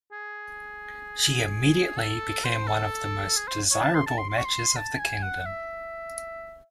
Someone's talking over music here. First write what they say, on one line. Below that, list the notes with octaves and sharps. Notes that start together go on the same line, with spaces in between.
She immediately became one of the most desirable matches of the kingdom.
G#4
A4
C5
A4
G#4
C5
C#5
A5
C6
A5
C6
C6
C#6
C6
A5
G#5
F#5
E5